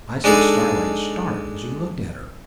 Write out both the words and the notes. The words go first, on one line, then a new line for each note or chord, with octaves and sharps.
I saw Starlight start as he looked at her.
G#3 D4 D#4 G#4 A4